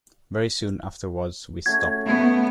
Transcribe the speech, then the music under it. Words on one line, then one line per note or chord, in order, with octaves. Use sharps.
Very soon afterwards we stopped.
A3 C#4 F#4 G#6
A3 B3 B5